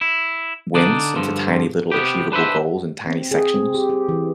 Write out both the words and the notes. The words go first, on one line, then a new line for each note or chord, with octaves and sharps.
wins, into tiny, little, achievable goals in tiny sections,
E4
D3 D4 D#4 D5
G2 D3 F3
C3 B3 G4
D4 B4 C5 E5
C4
G#4
C4
G4
G4
E3